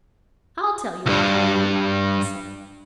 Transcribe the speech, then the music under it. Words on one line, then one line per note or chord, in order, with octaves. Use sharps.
"I'll tell you what I am," I said.
C2 G2